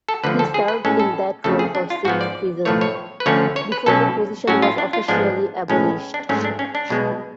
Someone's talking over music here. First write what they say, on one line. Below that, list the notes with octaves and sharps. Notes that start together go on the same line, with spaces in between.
He served in that role for six seasons, before the position was officially abolished.
A4
D2 D3 F3 B4
A4
G#4
B4
A2 G#3 C#4 A4
A4
F2 C#3 F3 A3 A4
G#4
D4
F4
G#2 F3 B3 F#4
D5
B1 A2 F3 A3 C#5
C#5
B4
D2 D3 F3 A3 C#4 C#5
C#5
B4
B1 B2 F#3 C#4 A4
A2 F#3 C#4 F#4
F4
D4
F4
G#2 F3 G#3 B3 D4
B1 A2 G#3 C#4
D4
G#2 F#3 A3 C#4
D4
C#4
D4
B1 B2 G#3 B3